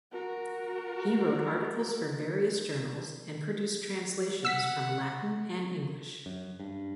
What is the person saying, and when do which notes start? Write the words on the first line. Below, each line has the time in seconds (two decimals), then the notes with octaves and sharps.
He wrote articles for various journals and produced translations from Latin and English.
0.12 F#4 A#4
4.45 F#5 E6 B6
6.26 F#2
6.60 G2